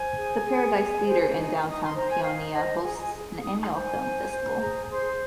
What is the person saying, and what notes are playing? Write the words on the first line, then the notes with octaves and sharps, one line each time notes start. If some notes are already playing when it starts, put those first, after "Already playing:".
The Paradise Theater in downtown Paonia hosts an annual film festival.
Already playing: C5 G#5
G#4
G#4
G#4
C5
D#4
D#4 D#6
C6
C5 A#5
G#5
D#4 F5
C5 D#5
G#4 G#5
A#5
G#5
G#4
D#4 D#6
C6
C5
G#5
C5
C5
G#4 A#5
C5 C6